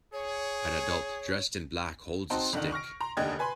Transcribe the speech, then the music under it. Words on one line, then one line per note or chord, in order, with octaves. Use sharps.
An adult dressed in black holds a stick.
G#4 C#5
C4 D#4 F#4 A5 C6
F2 D3 D#3
C#6 F6 A#6 D7
A#5 C6
F1 D#2 D3 D#5 G5 G#6
B4 G#5 B5 C6